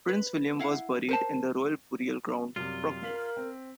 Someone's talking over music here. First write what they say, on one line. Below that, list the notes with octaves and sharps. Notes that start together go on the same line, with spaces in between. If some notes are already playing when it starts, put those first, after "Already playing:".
Prince William was buried in the Royal Burial Ground, Frogmore.
B4
E4 F5 F#5
A#4 C5 A5
F#2 C3 G3 F4
A#4 F5 B6 F#7
C4